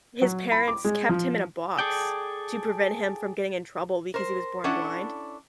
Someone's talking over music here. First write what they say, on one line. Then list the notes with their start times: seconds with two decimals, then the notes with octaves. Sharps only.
his parents kept him in a box to prevent him from getting in trouble because he was born blind,
0.22 F#3
0.52 B5
0.68 D6
0.84 G#3
1.09 F3
1.79 G#4 A4 D5 G5
4.14 A#4 C5
4.64 C#4 D4 E4 A4 F#5